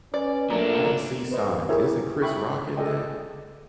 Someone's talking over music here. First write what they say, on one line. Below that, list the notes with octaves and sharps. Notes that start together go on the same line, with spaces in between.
I didn't see signs, isn't Chris Rock in that?
C#4 B4 D5
A#2 F#3 A3 D4 A#4
B4 C5 D#5
E4 G4 G#4 A#4 C#5 E5
G#4 E5 G5 B5 C#6
G#4 A4 D5 D#5 G5